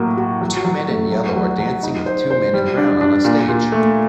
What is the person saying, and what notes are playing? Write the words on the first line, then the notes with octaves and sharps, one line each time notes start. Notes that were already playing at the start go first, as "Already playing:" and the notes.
Two men in yellow are dancing with two men in brown on a stage.
Already playing: A2 F#3 A#3 F#4
F#4
F#3
F#3
A3
F#3
F#3
F#3
D#4
C5
C5
G3
D4
D4
A#2
A#2
A3